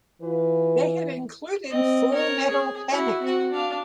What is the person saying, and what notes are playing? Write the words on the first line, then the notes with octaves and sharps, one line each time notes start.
They had included Full Metal Panic!
E3 F4 B4
C4 D#5
A#4 C#5
G#4
E4 F#4
C4 F#4
D4 F5